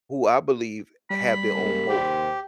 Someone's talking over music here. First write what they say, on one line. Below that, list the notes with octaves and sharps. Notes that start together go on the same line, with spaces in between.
who I believe have their own motive.
G3 B5
C#3 G#3 A#3
D#2 G4 C5